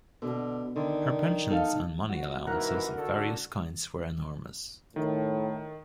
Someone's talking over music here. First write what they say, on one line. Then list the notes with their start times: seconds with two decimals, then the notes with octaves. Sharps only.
Her pensions and money allowances of various kinds were enormous.
0.22 B2 D3
0.76 D3 D#3
1.50 D#4 A4 F5
2.09 F#4
2.47 G#2 C3 E3 A#4 F#5
2.95 D3 F#4 A4
4.96 A2 D#3